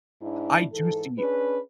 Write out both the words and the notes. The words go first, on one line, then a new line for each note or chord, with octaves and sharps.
I do see
G#2 D4 E4
G#2 E3 A4
C#4 D4 G#4 B4